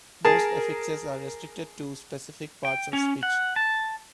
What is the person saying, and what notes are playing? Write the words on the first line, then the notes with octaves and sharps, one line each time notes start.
Most affixes are restricted to specific parts of speech.
G#4 A#4 A5
G5
C#4
F#5
A5